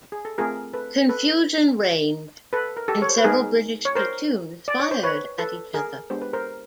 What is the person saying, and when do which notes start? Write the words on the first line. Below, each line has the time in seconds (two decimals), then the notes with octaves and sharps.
Confusion reigned, and several British platoons fired at each other.
0.12 G#4
0.25 A4
0.38 A3 C4 F4 G#4 A#4
0.73 A4 B4
1.09 A4 B4
2.53 A4 B4
2.77 A#4
2.88 G4 A4
3.02 C#5
3.09 C5
3.18 B4
3.24 G#3 B3 D#4 G#4 A#4
3.85 C#5
3.95 A#4 C5
4.68 D5
4.80 C#5
4.91 C5
5.03 B4 C#5
5.39 A4 B4
5.74 G#4 A#4
6.10 G#3 B3 D4 G4 C5
6.22 B4
6.33 A#4 C5